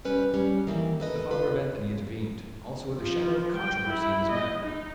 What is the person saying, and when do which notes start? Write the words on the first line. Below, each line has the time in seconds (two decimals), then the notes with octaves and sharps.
The father of Anthony intervened, also with a shadow of controversy in his manner.
0.05 G3 C#4 B4
0.34 G3 C#4
0.67 D#3 E3 A3 A#3
1.00 A4 B4 D#5
1.31 F4 B4 C5
2.98 F3
3.56 G5
3.88 E4
4.31 D#5
4.62 D#4